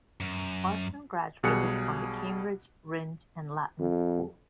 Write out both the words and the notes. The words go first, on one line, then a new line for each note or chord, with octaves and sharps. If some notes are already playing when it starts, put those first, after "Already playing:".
Orson graduated from the Cambridge Rindge and Latin School.
F#2
B1 B2 G3 G#4 F#6 C#7
F2